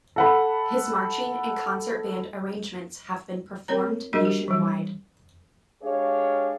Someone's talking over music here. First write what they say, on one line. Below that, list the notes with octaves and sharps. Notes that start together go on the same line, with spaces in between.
His marching and concert band arrangements have been performed nationwide.
A4 F#5 B5
C4 A#4 C#5 A#5
G3 D4 F#4 G#4 A#4 D#5
G4
E3 G3
G#3 D4 G4 G#4 C#5 F5